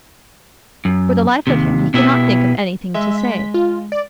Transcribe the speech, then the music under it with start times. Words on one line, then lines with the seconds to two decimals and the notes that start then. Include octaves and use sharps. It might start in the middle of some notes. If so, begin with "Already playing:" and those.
For the life of him he could not think of anything to say.
0.85 F#2
1.47 D#2 C3
1.94 B2 B3 E4 G4 E5
2.95 G#3 E5
3.18 B6
3.54 F4
3.92 D5